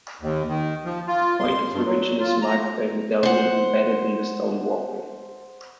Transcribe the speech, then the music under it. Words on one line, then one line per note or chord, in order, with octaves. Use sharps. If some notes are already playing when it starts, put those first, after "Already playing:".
The point of origin is marked by a medallion embedded in the stone walkway.
D#2
D#3
F3
F4
C6
G2
F#3
F4
A#5
C5 F#5